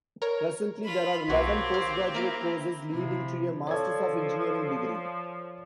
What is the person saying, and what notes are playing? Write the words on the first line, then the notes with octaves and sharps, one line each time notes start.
Presently there are eleven post-graduate courses leading to a Masters of Engineering degree.
A#4 C#5
F4 B5
B1 A#3 C4 F#4 G4 C#5 C6
F5
A#3 E4 F5 A#5 D7
C3 F3 E4
F3 A4 C#5 D5 G#6